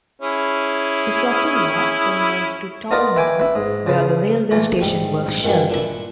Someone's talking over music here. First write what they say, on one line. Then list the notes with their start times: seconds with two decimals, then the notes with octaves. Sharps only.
The flotilla then moved to Taormina where the railway station was shelled.
0.22 C#4 E4 G#4
2.91 B3 D#4 F4 A#4 B4 D5
3.16 E4 B4 G5 G#5 D6
3.40 E4 B4
3.55 G#2
3.87 C#3 F3 B4
4.51 A#2 E3 A3
4.81 G#2 G3
5.44 G2 D#3 E3 F#3
5.70 A#2 D4 E4